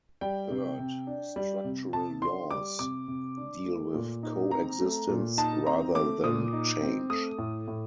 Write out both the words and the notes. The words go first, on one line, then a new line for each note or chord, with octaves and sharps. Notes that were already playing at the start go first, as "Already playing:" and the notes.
Third, structural laws deal with co-existence rather than change.
G3 G5
C3
C3
D4
G3
C3
C3 A5
D4 C6
G3 D6
C3 D6
C3
D4
A3
A#2
D#4
C4 A#5
A3
A#2
D#4 A5
C4 A#5
A3 D6
A#2 D#6
D#4
C4
A3 D#6
A2
A2